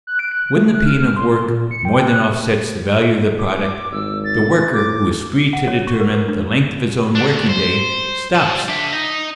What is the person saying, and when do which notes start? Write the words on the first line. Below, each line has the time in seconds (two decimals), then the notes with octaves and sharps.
When the pain of work more than offsets the value of the product, the worker who is free to determine the length of his own working-day, stops.
0.07 F#6
0.19 D7
0.31 F#6
0.56 A3
0.75 F#6
0.86 F6
0.99 F6
1.16 C6
1.48 A#2
1.71 C#7
1.85 G5
2.08 F#6
3.39 D6
3.92 G#1 E6
4.24 A6
4.73 A2 D6
5.53 F#5
5.68 C#5
5.87 C#6
6.00 A#4
6.13 B4
6.28 D4
7.15 D2 D4
7.49 C5
8.35 G3 A5
8.68 D4 E5
8.92 D#4 D#5